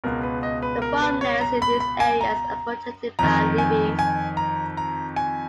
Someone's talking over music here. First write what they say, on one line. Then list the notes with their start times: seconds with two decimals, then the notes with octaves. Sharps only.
The farmlands in these areas are protected by levees.
0.04 C#2 B2 A#4
0.23 B4
0.43 D#5
0.62 B4
0.82 A#4
1.02 B4
1.21 C#5
1.41 A#5
1.62 B5
1.80 B5
2.00 G#5
2.21 A#5
3.19 F2 D#3 A#5
3.58 G#5
3.99 G#5
4.37 A#5
4.77 A#5
5.16 G#5